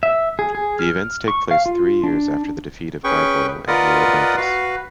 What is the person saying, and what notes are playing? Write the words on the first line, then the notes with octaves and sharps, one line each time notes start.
The events take place three years after the defeat of Gargoyle and Neo-Atlantis.
E5
G#4
G#4
F6
C#6
F5
F4
D4
C#4 G#4 B4 G5 C#6
F4 A#4 B4 D5 D#5 F#5
F#4 B4 F5